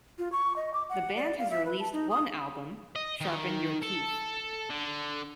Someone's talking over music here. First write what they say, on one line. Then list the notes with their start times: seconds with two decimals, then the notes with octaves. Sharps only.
The band has released one album, "Sharpen Your Teeth".
0.18 F4
0.32 C#6
0.56 D#5
0.74 D6
0.89 F#5
1.17 D5
1.39 F5
1.50 E5
1.66 B4
1.80 A5
1.93 D#4
2.11 D#6
2.96 D#5
3.21 D#3
3.83 A4
4.70 D3